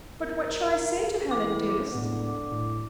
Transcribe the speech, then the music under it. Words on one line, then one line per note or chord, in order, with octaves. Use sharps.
"But what shall I say to Helen, dearest?"
A#4
E3 D6
A2 D3 G#3 B3
A2